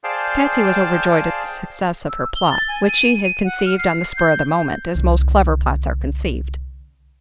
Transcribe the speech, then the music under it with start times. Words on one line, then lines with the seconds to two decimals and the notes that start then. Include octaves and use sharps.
Patsy was overjoyed at the success of her plot, which she had conceived on the spur of the moment, as most clever plots are conceived.
0.04 G#4 C5 D5 F5 G5 A5
2.09 E6
2.35 G7
2.51 A6
2.68 G#5
2.88 D#7
3.44 F#5
3.66 F6
3.78 C7
4.17 G6
4.95 C2 D3